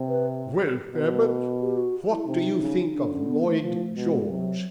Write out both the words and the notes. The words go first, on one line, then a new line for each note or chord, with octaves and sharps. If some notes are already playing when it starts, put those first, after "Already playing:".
"Well, Herbert, what do you think of Lloyd George?"
Already playing: C3
B4
B2
G4
F#4
E4
C3 D#4
C#3
D#4
D3 D4
C#4
B3
A3
F3 A3
B2 G#3
C3 F#3